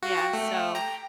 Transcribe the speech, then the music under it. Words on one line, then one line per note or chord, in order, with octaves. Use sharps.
yeah, so,
F#4 F5
G5
A3
G5 A#5